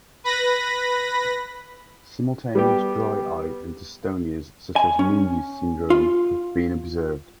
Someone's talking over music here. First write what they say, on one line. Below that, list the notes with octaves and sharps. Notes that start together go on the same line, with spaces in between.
Simultaneous dry eye and dystonias such as Meige's syndrome have been observed.
B4 B5 A#6
G3 B3 G4
G#5
C#4
F4